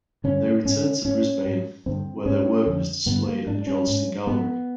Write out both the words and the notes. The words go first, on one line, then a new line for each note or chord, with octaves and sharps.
They returned to Brisbane where their work was displayed at the Johnstone Gallery.
G2 D3 C#4
G#2 C#4
G#2 C#4
G#2
G2 D3 C4
G#2 C#4
F2 D3
G2 D3 B3
A#3
G#2 D4
C#4
G#2
G#2 B3